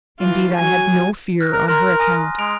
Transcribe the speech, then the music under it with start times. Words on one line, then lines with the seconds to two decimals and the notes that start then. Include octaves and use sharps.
Indeed I had no fear on her account.
0.20 E3 F4
0.55 F#3 G#5
1.41 F6 F#6 A#6
1.53 A#4
1.68 A#4 A#5 C6 F6
2.00 G#5 D#6 A#6
2.39 G#3 D7 F7